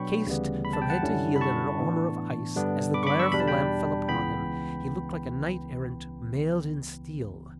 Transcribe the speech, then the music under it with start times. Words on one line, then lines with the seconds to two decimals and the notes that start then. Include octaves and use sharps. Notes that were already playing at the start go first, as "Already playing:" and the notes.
Cased from head to heel in an armor of ice, as the glare of the lamp fell upon him, he looked like a knight-errant mailed in steel.
Already playing: B2 F#3 B3 D4 G5 B5 C#6
0.27 D2 C#3 E3 G3 B3
0.65 B5
0.73 A5
0.82 G5
0.90 F#5 A5
1.02 F#2 D3 G3 C#4 E4
1.36 B5
1.41 A5 C#6
1.80 A2 E3 B3 D4
2.56 G2 D3 G3 B3 D4
2.94 B5 D6
3.03 C#6
3.07 B5 D6
3.19 C#6 E6
3.32 E2 B2 G3 D4 B5
3.40 A5
3.48 G5 B5
4.08 C#2 C#3 E3 B3 G5 B5